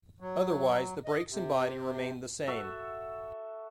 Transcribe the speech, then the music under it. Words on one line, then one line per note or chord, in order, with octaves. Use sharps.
Otherwise, the brakes and body remained the same.
F#3
D#5
C3
F#4 A4 E5